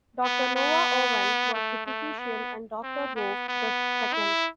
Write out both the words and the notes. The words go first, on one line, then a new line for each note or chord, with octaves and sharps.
Doctor Noah Owen was the physician and Doctor Rowe the second.
B3
B3
A3
A3
B3
C4
B3
B3
E4